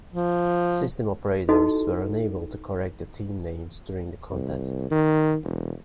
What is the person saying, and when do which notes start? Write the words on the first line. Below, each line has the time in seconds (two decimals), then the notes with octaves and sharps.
System operators were unable to correct the team names during the contest.
0.13 F3
1.49 D#4 E4 F#4 A4 D#5
4.30 C2
4.91 D#3
5.44 E1